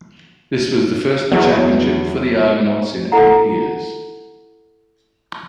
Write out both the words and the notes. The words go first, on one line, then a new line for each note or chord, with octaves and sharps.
This was the first championship for the Argonauts in eight years.
E2 F#3
E4 A4 F#5 A#5